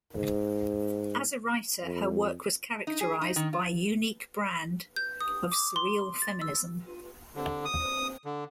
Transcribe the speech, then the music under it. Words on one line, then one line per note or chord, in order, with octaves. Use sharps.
As a writer her work was characterized by unique brand of surreal feminism.
G#2
F2
D#4
G#4
D#4
D#3
F4
G6
D#6
D6
C6
A6
E6
D3
D#6
D3